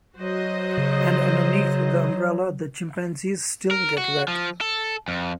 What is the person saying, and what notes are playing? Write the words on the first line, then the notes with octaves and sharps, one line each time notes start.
And underneath the umbrella the chimpanzees still get wet.
F#3 F#4 C5 D#5
C#3
A#4
F#4
F3
A4
F2